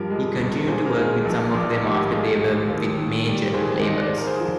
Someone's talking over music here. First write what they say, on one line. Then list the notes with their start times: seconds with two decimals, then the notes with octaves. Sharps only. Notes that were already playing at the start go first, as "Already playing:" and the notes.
He continued to work with some of them after they were with major labels.
Already playing: G2 F3 G4 A#4
0.10 G#3
0.39 G1
0.68 A#2 G#4 C5
0.86 A#4
0.96 G#3 F4 G#4
1.25 A#1 D#4
1.53 A#1 D4 F4
1.82 D#3 D#4 G4
2.11 G#3 F4 G#4
2.39 D#2
2.68 D#2
2.97 D#3
3.26 G3
3.54 D#2 G#4 C5
3.82 D#2 C5 D#5
3.97 D5
4.07 G#2 C5
4.17 A#4
4.27 G#4 C5
4.40 F3